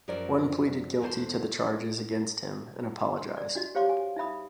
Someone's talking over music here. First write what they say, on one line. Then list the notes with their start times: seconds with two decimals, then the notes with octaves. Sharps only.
One pleaded guilty to the charges against him and apologised.
0.08 F#2 F3 C#4 A#4 D5
1.01 E2 B2 A3 G4 C5 A5
3.17 C6
3.37 D5
3.55 D4 F#4 D#5
3.75 G4 C5 C#5 F5 C6 D6
3.89 G#5
4.16 D#4 E5 B5 D#6